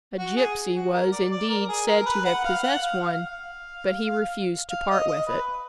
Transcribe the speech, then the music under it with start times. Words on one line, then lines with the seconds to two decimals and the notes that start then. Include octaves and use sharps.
A gipsy was, indeed, said to have possessed one, but he refused to part with it.
0.18 F#4
0.36 G#4
0.75 F#4
0.93 A#4
1.12 D5
1.31 D5
1.49 A#4
1.69 G#4
1.87 A#4
2.06 B4
2.25 F#5
2.44 F5
2.63 F#5
2.82 F5
3.00 F5
4.70 F5
4.89 D#5
5.07 D#5
5.27 B4